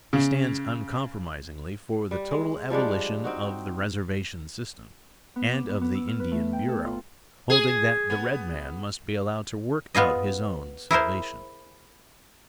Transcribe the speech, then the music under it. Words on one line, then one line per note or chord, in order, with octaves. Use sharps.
He stands uncompromisingly for the total abolition of the reservation system and of the Indian Bureau, holding that the red man must be allowed to work out his own salvation.
C#3
G3
G#3
F3 G3 G#3 D4
C4 D#4 F#4
B3
D6
B3
B3
E6
F6
B4
A3
G5
A4
F4
G#4
B3
B3 F4 G#4 D#5
E4 G#4 A#4 C5